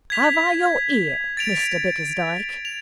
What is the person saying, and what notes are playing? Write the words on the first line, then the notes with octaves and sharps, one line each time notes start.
Have I your ear, Mr Bickersdyke?'
G#6 B6 F7
A6 D7 F7
F7